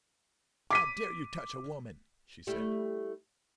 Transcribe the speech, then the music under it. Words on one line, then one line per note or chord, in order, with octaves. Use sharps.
"How dare you touch a woman?" she said.
D6 B6 D#7
G3 A3 E4